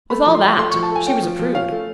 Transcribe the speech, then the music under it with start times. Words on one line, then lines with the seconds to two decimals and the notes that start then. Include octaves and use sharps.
With all that she was a prude.
0.10 A3 B5
0.27 F3
0.35 C6
0.42 F3
0.58 A3 C6
0.71 F3 C#6
0.83 A5
0.91 A3 G#5
1.07 C#4 G5
1.23 F3
1.39 F3
1.55 C#4 F5
1.72 A3